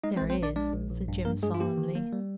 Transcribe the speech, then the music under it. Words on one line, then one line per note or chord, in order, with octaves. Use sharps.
"There is," said Jim solemnly.
G#3 D#4 D#5
C4 C5
A#1
C4 C5
A#1 D4 D5
G#3 D4 D5
A#1
A#1
G2
G2 A#3 A#4
G2 G#3 G#4
F4
A#3 G4
D#3
A#3
G3